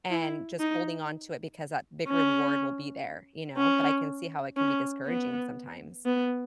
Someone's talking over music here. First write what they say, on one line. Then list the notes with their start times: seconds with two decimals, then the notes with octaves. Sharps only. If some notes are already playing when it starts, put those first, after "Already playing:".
and just holding on to it because that big reward will be there, you know? But I can see how it can be discouraging sometimes.
0.10 E4
0.59 D#4
2.08 C#4
3.57 C#4
4.57 C#4
5.06 B3
6.05 B3